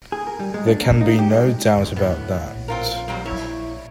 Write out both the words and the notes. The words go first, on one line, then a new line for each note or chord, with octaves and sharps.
There can be no doubt about that.
G#4
A#4
G3
G#3
D4
A#3
D#4
G4
G#3
E2 D3
A2 B3
A#1
C4 F4 A#4
F#3 G3 A#3 C4
E4 C#5